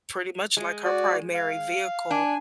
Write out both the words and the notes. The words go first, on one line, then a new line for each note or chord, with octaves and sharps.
pretty much, like, her primary vehicle,
G#3
F#4 D5
F5
D4 G#5